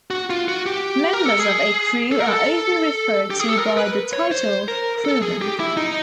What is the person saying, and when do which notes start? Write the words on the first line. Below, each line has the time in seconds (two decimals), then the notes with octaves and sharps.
Members of a crew are often referred to by the title "Crewman".
0.11 F#4
0.30 F4
0.48 F#4
0.66 G4
1.13 A#4
1.25 A4
1.39 G#4
2.12 A4
2.20 A#4
2.27 A4
3.30 G4
3.40 G#4
3.49 A4
3.58 A#4
3.77 B4
4.13 C#5
4.31 C5
4.68 A#4
5.05 A4
5.22 G#4
5.41 G4
5.60 E4
5.77 D#4